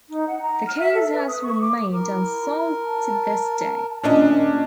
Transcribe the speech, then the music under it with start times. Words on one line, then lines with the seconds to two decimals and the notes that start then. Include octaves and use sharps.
The case has remained unsolved to this day.
0.09 D#4
0.27 F#5
0.43 A#5
0.66 F6
0.81 E5
0.94 A4
1.11 B4
1.28 D#6
1.42 C#6
1.61 D6
1.92 E4 A#4
2.83 A5
4.03 D#2 A#2 C#4 D4 D#5